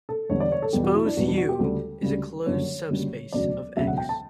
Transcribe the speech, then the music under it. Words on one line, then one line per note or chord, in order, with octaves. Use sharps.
Suppose "U" is a closed subspace of "X".
A4
E2 D3 G3 C#5
D5
C#5
A4
E2 B2 G3 G4
F#4
E4
D4
E2 B2 G3 F#4
D4
F#4
G4
D2 C#3 G3 A4
D2 C#3 G3
F#1 F#2 D3 G3 C#5
F#1 F#2 D3 G3
E1 D2 C#3 F#3 D5
E1 D2 C#3 F#3 E5
F#5
G5
A5